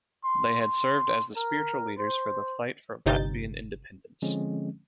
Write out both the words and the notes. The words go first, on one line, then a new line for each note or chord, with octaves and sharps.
They had served as the spiritual leaders for the fight for Latvian independence.
C6
C6
A#4
C5
G1 C3 D#4 G6 A6
D3 F3 G#3 C4 C#4